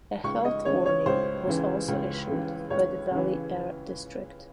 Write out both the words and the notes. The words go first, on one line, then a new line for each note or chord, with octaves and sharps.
A health warning was also issued by the Valley Air District.
C#2 C#6
D#5
C#3 E3 C#5
C#5
C#2 C5
C#3 E3
C#2
C#3 E3
C#2 C#5
C#3 E3